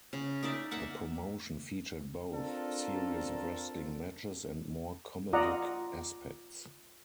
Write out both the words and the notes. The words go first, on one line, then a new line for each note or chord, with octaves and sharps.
The promotion featured both serious wrestling matches and more comedic aspects.
C#3
D#4 A#4 D5 E5
A#3 E5 F#5
C4 D4 F4 A4 A#4
F4 D5 D#5 F#5 A#5